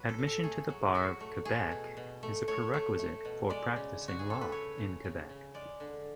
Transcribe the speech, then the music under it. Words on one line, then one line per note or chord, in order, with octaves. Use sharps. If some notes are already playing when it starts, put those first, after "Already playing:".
Admission to the Bar of Quebec is a prerequisite for practising law in Quebec.
Already playing: F#3 B4
A4
A2
A4
A3 G#4
F#3
F#3 F#4
A3
A3 G#4
B2
B2
A3
A3 C#5
A3
A3
B2
G#3 D5
C#3
C#3
F#4
G#4
C#3 A4
B4
C#3 C#5
C#3
C#3
C#3
G#3 D5
D3